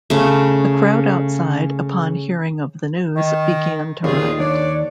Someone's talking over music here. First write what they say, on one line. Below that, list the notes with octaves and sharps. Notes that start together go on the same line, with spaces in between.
The crowd outside, upon hearing of the news, began to riot.
C#3 A3
D#3
D#2 A#2 F4 G#4
D4 C#5 D5